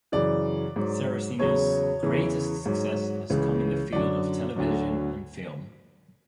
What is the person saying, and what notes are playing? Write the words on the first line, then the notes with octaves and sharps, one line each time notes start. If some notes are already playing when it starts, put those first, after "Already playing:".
Saraceno's greatest success has come in the field of television and film.
F#2 C#3 E3 D5
G#2 F#3
E2 C#3 F#3 C#5
E2 C#3 E3
G#2 F#3
C#2 C#3 E3
F#2 D3 F#3 D5
D2 D3 F#3